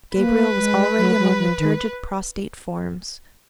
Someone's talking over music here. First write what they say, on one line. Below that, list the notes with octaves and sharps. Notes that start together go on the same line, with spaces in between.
Gabriel was already among the turgid, prostrate forms.
A#3 B4
G#3
F#3
F#3
F3
D#3